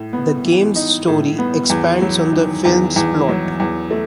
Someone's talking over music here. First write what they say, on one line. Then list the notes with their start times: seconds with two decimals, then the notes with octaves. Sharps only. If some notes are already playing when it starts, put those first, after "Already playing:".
The game's story expands on the film's plot.
Already playing: A2
0.13 B3
0.45 E3
0.76 D#4
1.08 A2
1.38 B3
1.70 E2
2.02 F#3
2.33 D#3
2.65 E2
2.96 E2
3.28 F#3
3.60 E2
3.91 A3